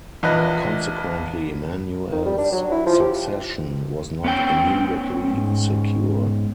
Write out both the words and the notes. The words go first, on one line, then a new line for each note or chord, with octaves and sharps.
Consequently, Manuel's succession was not immediately secure.
A#1 E2 E4 B4 D#5 F#6
D#3
G3
D4
F#3
E4
F3
G4
B3 C#4 G5
G#2